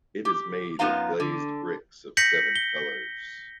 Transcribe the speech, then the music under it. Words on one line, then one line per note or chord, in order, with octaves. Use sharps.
It is made of glazed bricks of seven-colors.
G4
F#2 B3 D#4 F4 F5 A#5
D3
G6 A#6 B6 C#7 F#7
G7